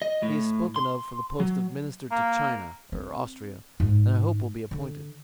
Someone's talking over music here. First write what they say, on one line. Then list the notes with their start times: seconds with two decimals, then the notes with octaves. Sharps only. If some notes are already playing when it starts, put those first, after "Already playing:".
He is spoken of for the post of Minister to China, or Austria, and I hope will be appointed.
0.02 D#5
0.23 A2
0.76 C6
1.40 F#3
2.11 A#3
2.92 C4
3.80 G#2
4.71 D3